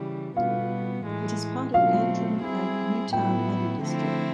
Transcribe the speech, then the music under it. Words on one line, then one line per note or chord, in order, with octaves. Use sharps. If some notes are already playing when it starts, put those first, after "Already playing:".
It is part of Antrim and Newtownabbey district.
Already playing: C#3 E3 G3
B2 G3 B3 F5
A2 E3 G#3
B2 F#3 A3 C4 F5
G3 C4 E4 G#4
A2 F#3 B3 E4 G5
D3 F3 A3 C4 E4